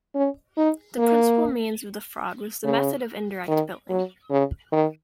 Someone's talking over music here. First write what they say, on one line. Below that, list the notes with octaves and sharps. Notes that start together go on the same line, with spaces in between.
The principal means of the fraud was the method of indirect billing.
C#4
D#4
A#3
C#3
D#3
F#3
C#3
D#3